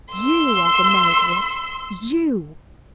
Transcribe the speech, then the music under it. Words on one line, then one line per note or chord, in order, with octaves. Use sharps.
You are the murderess--you!
C6 E6